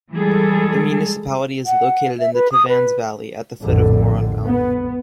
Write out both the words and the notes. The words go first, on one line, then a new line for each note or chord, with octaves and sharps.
The municipality is located in the Tavannes valley, at the foot of Moron mountain.
E3 G3 G#3 G#4 A4
F#5
E5
B4
D#6
B4
A#1 F2 A2 D3
B3